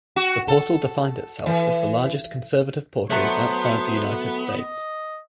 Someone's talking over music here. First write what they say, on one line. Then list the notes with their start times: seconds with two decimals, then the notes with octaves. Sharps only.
The portal defined itself as the largest conservative portal outside the United States.
0.16 F#4
0.48 A4
1.46 E3
3.10 F#3 A3 B3 C5 F#5
4.46 D#5